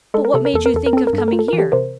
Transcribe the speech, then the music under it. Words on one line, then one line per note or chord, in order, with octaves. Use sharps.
"But what made you think of coming here?"
G#3 A4
A#4
C3 A4
A#4
E2 A4
A#4
E2 A4
A#4
C4 A4
A#4
G2
A4
F4 A#4
A4
E3 A#4
G4 A4
C3 A#4 C5